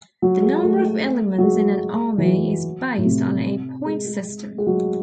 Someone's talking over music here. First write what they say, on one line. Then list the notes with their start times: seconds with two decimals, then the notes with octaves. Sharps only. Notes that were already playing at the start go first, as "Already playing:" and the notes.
The number of elements in an army is based on a points system.
0.22 F#3
0.42 G#3
0.63 A3
1.38 F#3
1.44 G#3
2.18 E3
2.25 F#3
2.98 A2
3.05 C3
3.86 G#3
4.06 G#3
4.58 G#3
4.67 F#3